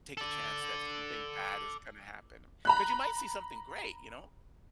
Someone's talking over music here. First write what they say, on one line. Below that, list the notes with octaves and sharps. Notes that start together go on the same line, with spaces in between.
take a chance that something bad is gonna happen." 'Cause you might see something great, you know?
A4 D5
A#5 B5 F#6